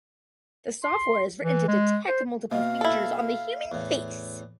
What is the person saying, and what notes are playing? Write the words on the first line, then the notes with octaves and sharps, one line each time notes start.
The software is written to detect multiple features on the human face.
C6
E3
G#3
C5
B2 A#3 D#5 F5
E4 A4
E2 A2